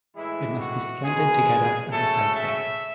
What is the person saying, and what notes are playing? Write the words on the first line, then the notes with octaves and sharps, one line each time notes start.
It must be splendid to get up and recite there.
A2 E3 G#3 E4
F#4
B2 G#3 G#4
C#3 F#3 A3 A4
E5